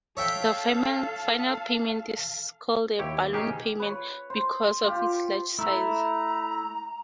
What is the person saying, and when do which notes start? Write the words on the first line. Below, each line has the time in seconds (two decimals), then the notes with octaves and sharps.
The final payment is called a "balloon payment" because of its large size.
0.17 A4 C#5 E5 F5 G5
2.99 D#2 E4 G4 C#5
3.33 C#4 D#4 G4 G#4
3.80 B4 C#5
4.30 C5
4.84 F4 G4
5.59 A3 E4 A#5